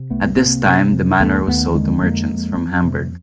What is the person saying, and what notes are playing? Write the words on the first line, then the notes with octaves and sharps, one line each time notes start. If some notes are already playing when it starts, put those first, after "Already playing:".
At this time the manor was sold to merchants from Hamburg.
Already playing: C3
C2 A3 B3
C3 A#3 C4
C3
F2
D#2 A3 B3
D#2 A3 B3
D3 G#3 A#3
F2 G#3 A#3
F2
F2
C3